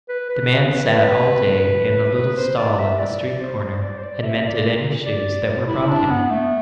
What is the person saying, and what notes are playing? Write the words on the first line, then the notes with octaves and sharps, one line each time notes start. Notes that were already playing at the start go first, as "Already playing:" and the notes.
The man sat all day in a little stall at the street corner and mended any shoes that were brought him.
B4
B4
B4
C5
D5
E5
D5
C5
D5
C5
D5
E5
D5
D5
E4
D4
B3
A3